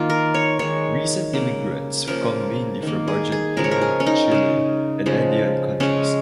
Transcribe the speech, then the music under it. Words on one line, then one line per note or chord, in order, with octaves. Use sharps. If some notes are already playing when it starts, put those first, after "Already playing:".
Recent immigrants come mainly from Argentina, Chile, and Andean countries.
Already playing: D#3 A#3 F4
A#4
C#5
D#3 G#3 C#5
C#3 A#3
C#3 F3 A#3 A#4
D#3 A#3
G#4
G#4
C#3 F3 G#3 A#4
C#5
A#4
G#4
C#4
D#4
C#3 G#3
C#3 F3 G#3
C#3 G#3 C#4